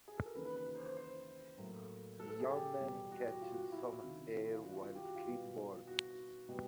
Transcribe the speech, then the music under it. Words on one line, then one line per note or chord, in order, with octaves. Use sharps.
The young man catches some air while skateboarding.
G#4
A4
A#4
D#2 C#3 E3 B4
B4
B4
B4
C5
C5
C5
A2 F#3 A#3
A4
A4
G#4
G4
E2 B2 G3
F#4
G4
F#4
F4
F#4
F4
E4
C#2 C3 D#3
F4
E4
F4
F#4
F4
G4
F#4
F4
B2 G3 B3
F#4
B2 G3 B3